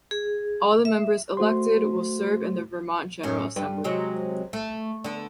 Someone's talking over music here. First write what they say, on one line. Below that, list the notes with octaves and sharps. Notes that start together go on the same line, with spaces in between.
All the members elected will serve in the Vermont General Assembly.
G#4
E5
A3 F#4 C5 C6
F#2 A2 C#4
G2 G3 B4
C3 F#3 G#3
A3
D3 B3